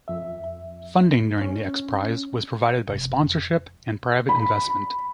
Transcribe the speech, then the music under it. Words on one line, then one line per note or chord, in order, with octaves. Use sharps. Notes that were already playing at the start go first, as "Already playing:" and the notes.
Funding during the X-Prize was provided by sponsorship and private investment.
F2 E5
C#4
F1
B5